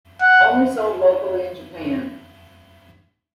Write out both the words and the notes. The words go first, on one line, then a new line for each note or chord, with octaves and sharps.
Only Sold locally in Japan.
F#5